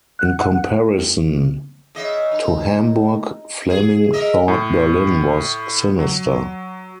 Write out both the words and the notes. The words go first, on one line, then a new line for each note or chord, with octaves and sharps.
In comparison to Hamburg, Fleming thought Berlin was "sinister".
F#5
C#3 D#5 E5
D#4
G#4
A#4 D#5 E5
A2
F#3